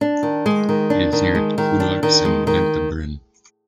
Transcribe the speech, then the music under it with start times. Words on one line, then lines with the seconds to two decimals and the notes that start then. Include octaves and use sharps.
It is near Coudoux and Ventabren.
0.01 D4
0.23 D#3
0.46 G#3
0.69 D#3
0.90 D4
1.12 D#3
1.35 G#3
1.58 D#3
1.80 D4
2.03 D#3
2.25 G#3
2.47 D#3